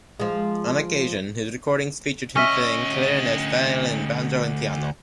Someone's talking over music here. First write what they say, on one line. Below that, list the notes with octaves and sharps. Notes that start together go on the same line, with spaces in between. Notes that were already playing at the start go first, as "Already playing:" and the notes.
On occasion his recordings have featured him playing clarinet, violin, banjo and piano.
F3 G#3
D2 C#4 D#5 E5